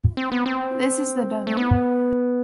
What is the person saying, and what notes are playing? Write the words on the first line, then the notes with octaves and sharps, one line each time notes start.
This is the donut.
C4
B3
C4
A3
B3